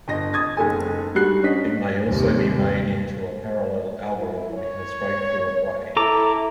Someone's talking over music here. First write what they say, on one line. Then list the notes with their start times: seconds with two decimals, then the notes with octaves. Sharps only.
It may also be made into a parallel algorithm in a straightforward way.
0.08 G1 D#5 A#6
0.33 D#6 G#6 A6
0.57 F#1 B1 G#3 A4 G#5
1.15 G#2 G3 D4 F#4 F#6 C7
1.43 C#4 D4 D#5 B6
2.06 D#2 C3
4.17 E4
4.53 C#5
5.97 E4 A4 A#5 D6